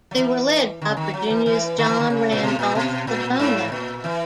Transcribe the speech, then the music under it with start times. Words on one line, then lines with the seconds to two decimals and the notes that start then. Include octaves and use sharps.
They were led by Virginia's John Randolph of Roanoke.
0.11 F#3
0.17 E3
0.82 D#3
0.89 C#3
0.97 D#3
1.14 F#3
1.30 E3
1.46 E3
1.78 D#3
1.89 E3
2.00 D#3
2.10 C#3
2.32 A#2
2.43 B2
2.59 A#2
2.75 B2
3.07 A#2
3.40 G#2
3.72 A#2
4.04 E3